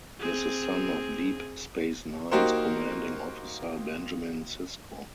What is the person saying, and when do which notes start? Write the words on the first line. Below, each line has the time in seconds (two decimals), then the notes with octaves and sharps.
He is the son of Deep Space Nine's commanding officer, Benjamin Sisko.
0.20 C4 G#4
2.32 A#3 D#4 F#4 G4 A#4 C5